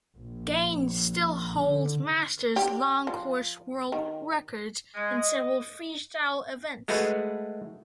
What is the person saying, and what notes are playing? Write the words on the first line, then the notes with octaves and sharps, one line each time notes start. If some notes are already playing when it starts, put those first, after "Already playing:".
Gaines still holds masters long course world records in several freestyle events.
A#1
D3
G4
F3
D#3
G#3
D#5
G#3 A3 F#4 G#4 B4 F#5